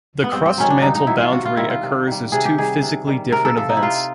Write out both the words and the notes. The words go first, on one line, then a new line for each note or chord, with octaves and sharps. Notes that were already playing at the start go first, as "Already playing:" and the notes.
The crust-mantle boundary occurs as two physically different events.
B3
G2 C4
C4
D#3 F#3 C#4
D4
G2 D#4
D#4
D#3 F#3 E4
F4
C3 F#4
F4
D#3 G3 E4
F4
C3
D#3 G3
C3 G#4
G4
D#3 G3 G#4
C3
D#3 G3
C3 A#4
A4
F3 A4
D#4
E4
C3 F4